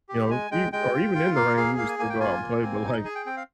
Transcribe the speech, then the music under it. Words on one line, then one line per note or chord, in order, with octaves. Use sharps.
you know, e or even in the rain we would still go out and play, but, like,
G4
G#3 G#5
G#3 G5
G#3 G5
F4
F4
A#3 F5
G#4 F5
A#3 F5
G#5
A#3 G#5
G5
F4 G#5
A#3
C4
D#4
G#4 G#5
G5
C4 G5
F5